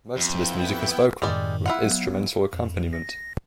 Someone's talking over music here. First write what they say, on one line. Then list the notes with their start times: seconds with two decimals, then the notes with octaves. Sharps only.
Most of his music is vocal with instrumental accompaniment.
0.17 F2 B3 E4 G5
1.22 F#2 A2 D#3 G3 G#3 D5
1.66 E4 F4 F#5
1.84 F#3 B3
2.53 F2
2.93 A#6